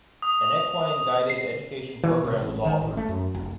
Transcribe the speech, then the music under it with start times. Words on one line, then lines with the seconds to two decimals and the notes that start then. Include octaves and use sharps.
An equine-guided education program was offered.
0.22 D#6
1.30 C7
2.03 E3
2.25 C3
2.41 A1
2.65 D#3
2.82 A1
2.97 A3
3.09 F#2
3.34 F1